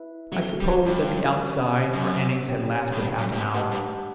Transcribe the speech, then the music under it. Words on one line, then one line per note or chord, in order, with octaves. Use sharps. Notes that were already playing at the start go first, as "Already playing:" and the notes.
I suppose, at the outside, our innings had lasted half an hour.
Already playing: E4 B4 E5
F#3 C#4 F#4 A4 E5
G3
F#3
G2
C#4 G4 C#5
F#2
C#4 G4 C#5 G5
A2
G2
F#2
F#2
G2
A2 G4 B4 F#5 A5
G2